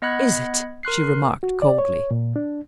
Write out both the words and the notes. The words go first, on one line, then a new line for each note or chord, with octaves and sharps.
"Is it!" she remarked coldly.
B3 D#5 F#5 B5 F#6 G#6
A#4 C6 F#6 C7
F#4
D5
C#5
A#2
D4